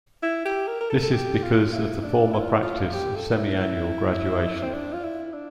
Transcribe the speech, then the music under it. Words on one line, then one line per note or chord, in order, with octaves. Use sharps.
This is because of the former practice of semiannual graduation.
E4
G4
A#4
A#4
A4
A4
G4
F4
E4
D4
E4
F4
E4
F4
G4
A4
E4
E4
C4
D4
F4
E4
D4